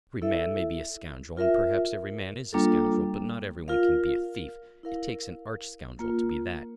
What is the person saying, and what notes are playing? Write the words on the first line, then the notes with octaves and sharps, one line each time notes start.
Every man may be a scoundrel, and perhaps every man is a scoundrel, but not every one can be a thief, it takes an arch-scoundrel to be that.
E4 A4 E5
F4 A#4 E5
G3 A#3 D4 F4 A4
F4 A#4 F5
E4 A#4 F5
A#3 F4 A#4